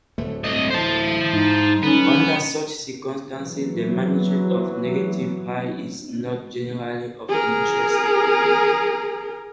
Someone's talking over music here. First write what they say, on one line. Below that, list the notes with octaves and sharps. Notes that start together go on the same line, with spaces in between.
Under such circumstances the magnitude of negative Ri is not generally of interest.
D1 D3 A3
C2 D#5
E4 C5 A5
G#2 D#4
D3 F#3 B3 C#4
E3 F#3
G#4 A#4